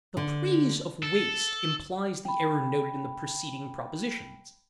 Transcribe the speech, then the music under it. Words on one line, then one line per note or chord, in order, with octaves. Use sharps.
The praise of waste implies the error noted in the preceding propositions.
D3
A4
G5 B5